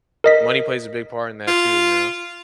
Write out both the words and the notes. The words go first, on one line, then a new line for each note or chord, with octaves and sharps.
money plays a big part in that too, you know?
A#4 D#5 B6
F4